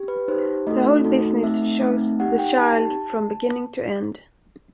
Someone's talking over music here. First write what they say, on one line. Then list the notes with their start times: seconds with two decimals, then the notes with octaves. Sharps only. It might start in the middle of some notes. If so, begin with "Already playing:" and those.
The whole business shows the child from beginning to end.
Already playing: G4
0.08 B4
0.28 D#4 G4 C5
0.67 A3 D#4 F#4 A4 D#5
1.04 A3 D#4 F#4 A4
1.43 A3 C4 D#4 E5
1.81 A3 C4 D#4
2.20 D#4 G4 F#5
2.39 G5
2.58 D#4 G4 A5